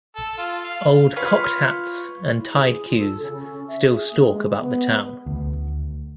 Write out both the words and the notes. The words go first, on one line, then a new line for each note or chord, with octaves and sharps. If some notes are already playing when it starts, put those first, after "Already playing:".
Old cocked hats, and tied queues, still stalk about the town.
A4
F4
F5
F4 B4 C#5
E4
G#4
F4
A4
C#3
C#4
E5
G#4
A#3
G#3
B3
D2